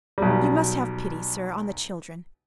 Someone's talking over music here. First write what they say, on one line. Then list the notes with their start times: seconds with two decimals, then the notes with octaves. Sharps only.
You must have pity, sir, on the children.
0.18 B1 G3